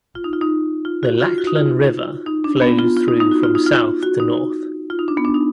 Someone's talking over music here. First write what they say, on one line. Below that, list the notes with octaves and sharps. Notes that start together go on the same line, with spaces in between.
The Lachlan River flows through from south to north.
F4
D#4
F4
D#4
F4
F#4
F4
F#4
D#4
F4
D#4
D4
B3
F4
F4
D#4
D#4
F#4
F4
D#4
F4
F#4
D#4
F4
D#4
D4
B3
D4
D#4